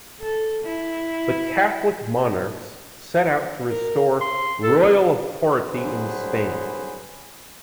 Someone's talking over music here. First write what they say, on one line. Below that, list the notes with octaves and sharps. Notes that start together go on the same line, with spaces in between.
The Catholic Monarchs set out to restore royal authority in Spain.
A4
E4
A#4
C6
A4
C2 D3 F#3 G#4 B4 C5